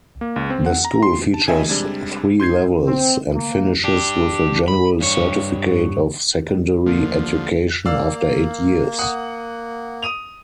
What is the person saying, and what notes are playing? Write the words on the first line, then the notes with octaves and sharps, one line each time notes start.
The school features three levels and finishes with a general certificate of secondary education after eight years.
A#3
C#2
C4
F#5
A#5
C6
A5
F2 D#5 E5 G5 G#5 G#6
C3 G3 G#3 D4 G#6
C6 G6 G#6 C7
C4
A#3
D4 G4
B5
G2 C#5
D2 F3 A#3
A#3 D5 F5 E6
F#5 D#6
D#6 D#7 F7